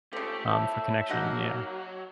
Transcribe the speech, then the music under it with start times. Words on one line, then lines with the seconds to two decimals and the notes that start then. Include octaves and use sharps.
um, for connection, yeah.
0.13 C#3 F3 A3 G4
0.48 A2 E5 A5 G6
1.09 C#3 F#3 A#3 D#4 F#5